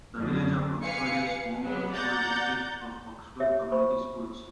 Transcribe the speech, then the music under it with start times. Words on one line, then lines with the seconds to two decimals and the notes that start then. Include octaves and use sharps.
The village of Oxford is home to the school district of Oxford Community Schools.
0.16 F#2 D3
0.83 B4 F5 G#5 C#7
1.62 F#3 G#3 B3
1.93 D5 F#5 A#5 G6 A6
3.40 G4 C#5 E5
3.72 C5 B5 C#6